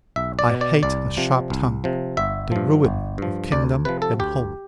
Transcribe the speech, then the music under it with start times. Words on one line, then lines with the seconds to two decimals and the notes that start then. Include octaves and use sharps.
I hate a sharp tongue, the ruin of kingdom and home.
0.16 B1 E5
0.39 D5
0.50 B2
0.61 D5
0.83 C2 D5
1.17 C3 F3
1.50 C2
1.84 C3 F3
2.17 G1 E5
2.52 G2 F3
2.85 G1
3.18 G2 F3
3.52 D2 D5
3.85 C3 F3 B4
4.02 A4
4.19 D2 G4